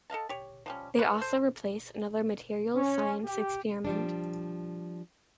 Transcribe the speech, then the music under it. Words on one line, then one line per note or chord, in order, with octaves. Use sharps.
They also replaced another materials science experiment.
A4 D#5 F5 A5
G4 C#5
F3 G3 C#4
F4 B4 C#5
A4 C5
C#4
G4
F3 G3 D4